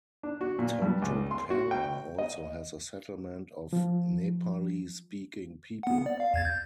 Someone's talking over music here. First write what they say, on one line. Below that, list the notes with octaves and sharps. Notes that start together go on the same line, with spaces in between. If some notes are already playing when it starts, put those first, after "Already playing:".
Totopara also has a settlement of Nepali-speaking people.
D4
F#4
A#2
G2
C#2
C6
F#4
G5
D#5
F3
B3 F#5
D5
F5
E2 G#6 A6
G6